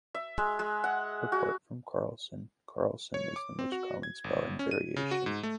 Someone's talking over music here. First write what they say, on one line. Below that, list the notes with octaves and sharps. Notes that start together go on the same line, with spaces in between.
Apart from "Karlsson", "Carlsson" is the most common spelling variation.
E5
G#3
G#3
F#5
F#4
C#5
D6
C4
F#4
G#6
G1
C#4
D#7
C#3
F#4
G#2
A3